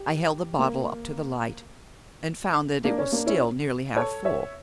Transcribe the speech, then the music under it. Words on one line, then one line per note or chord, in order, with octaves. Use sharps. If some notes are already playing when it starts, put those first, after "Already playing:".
I held the bottle up to the light, and found that it was still nearly half full.
Already playing: G4
A#3
A#3 D4
C#4
A#3 D4
C#4 E4
A4 C#5
C#5 E5